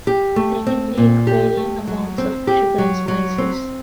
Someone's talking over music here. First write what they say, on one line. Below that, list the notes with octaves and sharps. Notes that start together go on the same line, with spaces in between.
They can take varying amounts of sugar and spices.
G4
A3
C4
A#2
G4
A3
F#3
C4
G4
F#3
F#3
C4